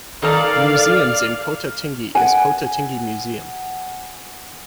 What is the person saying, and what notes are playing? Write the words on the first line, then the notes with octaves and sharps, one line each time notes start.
Museums in Kota Tinggi is Kota Tinggi Museum.
D#3 A4 D5 F5 A#5
F6
F#5 G#5